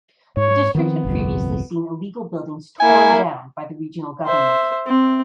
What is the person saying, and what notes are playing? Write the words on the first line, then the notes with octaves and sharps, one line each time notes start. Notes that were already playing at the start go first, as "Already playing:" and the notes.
The district had previously seen illegal buildings torn down by the regional government.
G#2 C#5
D#3 F3 B3 C4
G1 C2 F2
A#3 E4 G#5
C5 E5
C4